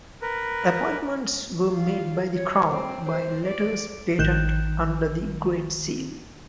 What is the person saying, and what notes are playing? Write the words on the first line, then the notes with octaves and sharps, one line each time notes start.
Appointments were made by the Crown by letters patent under the Great Seal.
A#4 B4
F4
C#5
C4
C5
D5
A1 D#3 F#6 G6 E7